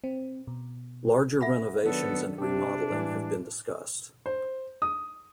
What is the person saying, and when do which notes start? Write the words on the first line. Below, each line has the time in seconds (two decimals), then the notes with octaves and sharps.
Larger renovations and remodeling have been discussed.
0.04 C4
0.47 B2
1.41 E5 F#5 B5
1.84 D#3 F#3 B3 D4 A4
2.38 C3 D4 G4
2.91 A2 E3 G3 G#3
4.26 C5
4.82 D#6